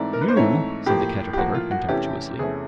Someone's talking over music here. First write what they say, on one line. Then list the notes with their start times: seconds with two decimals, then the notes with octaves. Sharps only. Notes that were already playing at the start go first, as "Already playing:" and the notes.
'You!' said the Caterpillar contemptuously.
Already playing: G#2 E3 A3 C4 D5
0.13 A#4
0.21 B4
0.28 C5
0.36 G#2 E3 A3 C4 C#5
0.86 A2 F3 A#3 G4
1.33 G4
1.37 A2 F3 A#3 F#4
1.54 F4
1.71 F#4
1.88 E2 C3 E3 A3 C#4 G4
2.39 E2 C3 E3 A3 C#4 G#4